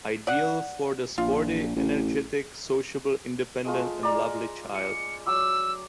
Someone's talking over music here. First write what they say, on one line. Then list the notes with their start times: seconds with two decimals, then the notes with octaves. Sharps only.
Ideal for the sporty, energetic, sociable, independent and lovely child.
0.27 D5 F#5
1.18 A#1 F4
1.76 A1
3.65 G#3 A3 F4
4.03 D5 A#5
4.75 C#7
5.27 F#3 D6 E6